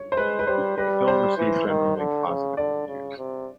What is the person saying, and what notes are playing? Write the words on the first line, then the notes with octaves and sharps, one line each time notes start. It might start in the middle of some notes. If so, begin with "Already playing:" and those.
The film received generally positive reviews.
Already playing: C#5
C5
G#3 B4
B4
G3 C5
G3 B4
C5
E3
D#3
D3
C#3
D3 D5
C#3
C3